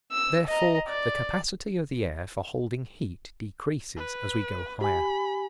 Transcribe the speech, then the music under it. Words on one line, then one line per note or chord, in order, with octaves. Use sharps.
Therefore the capacity of the air for holding heat decreases as we go higher.
E6
D#5 A#5
D5
B4
G4 G#5 B5